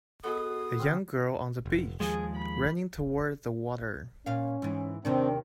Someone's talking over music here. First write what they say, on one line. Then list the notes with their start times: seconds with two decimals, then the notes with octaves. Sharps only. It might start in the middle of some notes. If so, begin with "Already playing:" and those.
A young girl on the beach, running toward the water.
0.24 B3 F#4 G#4 A4 D#5 D#6
0.79 D3 C4 C#4
1.66 F1
2.00 D#2 F3 G#3 G#4
2.36 B5
4.26 A#2 C#4 F5
4.62 G#2 E3
5.05 D#2 C3 D#3 C4 D4